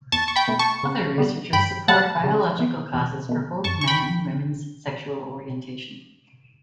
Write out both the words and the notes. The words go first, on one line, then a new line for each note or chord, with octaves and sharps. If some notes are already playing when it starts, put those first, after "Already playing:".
Other researchers support biological causes for both men and women's sexual orientation.
E2 A5 C#6
C#6
G5 B5
B2 A3
A5 C#6
C#3
G3 B3
G2 G5 B5
F#3 A3 F#5 A5
C#3
E3 B3
E2
B2 A3
F#2 A5 C#6
C#6
G5 B5